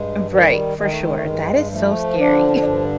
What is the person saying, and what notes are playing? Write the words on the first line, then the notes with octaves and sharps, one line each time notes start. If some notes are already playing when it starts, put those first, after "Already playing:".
Um, v right, for sure, that is so scary.
Already playing: G2 G#3
D#3 G3
D#3 G#3
A3
G#3
A3
G2 G#3
F3 A3
D3 D4
G2